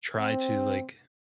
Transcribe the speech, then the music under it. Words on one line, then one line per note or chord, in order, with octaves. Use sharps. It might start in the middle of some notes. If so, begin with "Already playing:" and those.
try to, like,
C4